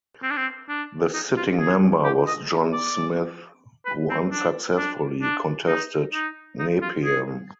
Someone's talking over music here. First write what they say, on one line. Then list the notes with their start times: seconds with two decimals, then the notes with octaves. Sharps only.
The sitting member was John Smith who unsuccessfully contested Nepean.
0.23 C4
0.30 D4
0.37 C4
0.69 D4
1.14 D#4
1.36 F4
1.59 G#4
2.04 G4
2.27 D#5
2.73 D5
3.86 B4
4.10 C4
4.31 D4
4.77 D4
5.22 D4
5.67 D#4
6.14 D#4
6.59 D#4
6.82 F4
7.05 G#4